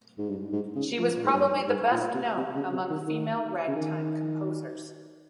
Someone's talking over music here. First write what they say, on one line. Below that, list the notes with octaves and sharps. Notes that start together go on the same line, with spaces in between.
She was probably the best known among female ragtime composers.
G#2
G2
G#2
C#3
F3
A#2
G#2
G2
G#2
A#2
C3
C3
C#3
C3
D#3
D#3
C#3
D#3